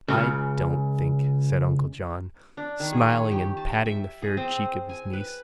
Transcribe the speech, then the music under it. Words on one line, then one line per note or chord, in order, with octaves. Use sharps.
"I don't think," said Uncle John, smiling and patting the fair check of his niece.
C#2 G#2 C#3
D4
D#3
G#4
C#5
G4
A5
E5
G#4
C4
G#5
B4